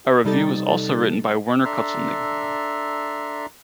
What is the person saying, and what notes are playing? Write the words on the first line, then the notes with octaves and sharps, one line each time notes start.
A review was also written by Werner Kutzelnigg.
C3 G3 D#4 A4 A6
D4 A4 E5 A#5 C6